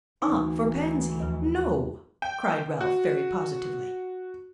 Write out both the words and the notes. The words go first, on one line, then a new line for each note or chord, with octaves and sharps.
"Ah, for Pansy, no!" cried Ralph very positively.
D2 E3 D#4
D#2 F3
G5
F#4